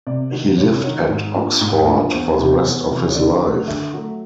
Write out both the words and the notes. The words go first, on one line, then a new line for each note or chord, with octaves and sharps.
He lived at Oxford for the rest of his life.
C3 D5
D#3 F#3
C3 C#5
D#3 F#3 C#5
G#2
F3 A#3 D4
G#2
F3 A#3 D4
E2 C5
C3 E3
C5
E2 C#5
C3 E3
C#5
D3 D5
F#3 A3
D3 E5
F#3 A3